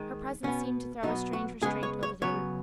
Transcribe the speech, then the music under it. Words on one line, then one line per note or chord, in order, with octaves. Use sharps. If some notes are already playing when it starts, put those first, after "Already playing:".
Her presence seemed to throw a strange restraint over the group.
Already playing: D#3 G#3
B2 B3 C#4
B2 F#3 B3 D#4
F#4
C#3 G#3 B3 G#4
C#5
C#5
C#3 F#3 B3 C#5